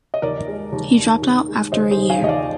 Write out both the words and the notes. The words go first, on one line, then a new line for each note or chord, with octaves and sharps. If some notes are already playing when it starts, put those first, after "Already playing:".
He dropped out after a year.
D#5
D#2 A#4 D5
G#3
D#2
D#3
D#2
G#3
D#2 C5 D#5
G#4 C5
D#3
F5 G#5
D#2 D#5
D5 F5